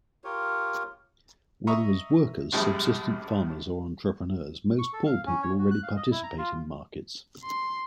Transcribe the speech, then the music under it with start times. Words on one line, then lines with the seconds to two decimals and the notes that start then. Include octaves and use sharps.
Whether as workers, subsistence farmers or entrepreneurs, most poor people already participate in markets.
0.24 F4 G4 A#4 C#5
1.67 D#5 E5 A#5 C#6
2.52 A#1 F#2 A2 G3 G#3
4.79 C#6
4.93 A4
5.06 F5
5.26 C#4
5.43 C#5
5.58 F#4
5.71 F#6
5.83 F5
5.96 D#5
6.12 E4
6.23 A#5
6.38 F4
7.43 C6